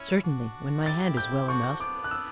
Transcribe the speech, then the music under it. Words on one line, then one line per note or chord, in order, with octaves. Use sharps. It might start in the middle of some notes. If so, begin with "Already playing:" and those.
"Certainly, when my hand is well enough."
Already playing: C#4 E4
D4 F#4
E4 G4 A6
G6
D4 F#4 C#6
B3 D4 D6
F#6
E6